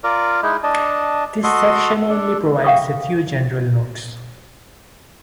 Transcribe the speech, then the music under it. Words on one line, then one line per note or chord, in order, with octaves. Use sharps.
This section only provides a few general notes.
F4 A#4 D5
G#3 D#4 E4
D4 D#5 A5
F#4 A4 D#5 C6
D4 A4
E5 F5 G5 C#6 D#6